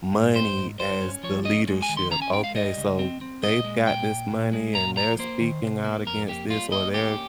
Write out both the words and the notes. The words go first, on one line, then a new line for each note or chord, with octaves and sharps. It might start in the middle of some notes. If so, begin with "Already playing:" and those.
money as the leadership. Okay, so they've got this money and they're speaking out against this, or they're
G#2
G#2 C5
G#2
G2 C5
C#4
F3 C#5
C#4 D#5
G#3
G#5
D#3
C6
C#4 A#5
G#5
G#3 G5
F5
G3 D#5
C#2
C4
C4
A#2 D#5
G#3
A#2 G5
A#2
A#2
G#3
A#2 A#5
F3 A#5
A#3 C5
D#3
C3
A#3
F2 A#4
A#3 G4
G3 F4
A#3 D#5
C#4 G4